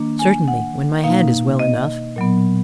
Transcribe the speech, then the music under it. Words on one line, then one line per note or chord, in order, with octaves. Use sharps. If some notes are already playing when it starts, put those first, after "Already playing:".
"Certainly, when my hand is well enough."
Already playing: D#3 A#3 D4
G#5
F#5
B2 A#3 D#4 F5
D#5
A#2 F#3 B3